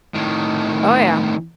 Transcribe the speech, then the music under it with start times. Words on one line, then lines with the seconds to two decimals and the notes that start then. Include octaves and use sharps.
Oh, yeah.
0.14 A2 D#3